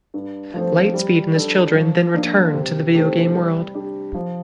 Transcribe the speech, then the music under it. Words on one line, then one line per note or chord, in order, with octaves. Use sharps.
Lightspeed and his children then return to the video game world.
G2
F3 A3 C4
G3
D4 A4
F3
A#3 D4
C3
D#3 A3 C4 G4
G3
D4 G4
F3